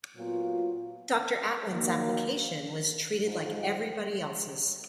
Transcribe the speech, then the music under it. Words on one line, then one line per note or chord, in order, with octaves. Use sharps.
Doctor Atwan's application was treated like everybody else's.
A#2 F#3 B3 F4
D#3 F#3 A#3
G#2 F3 G#3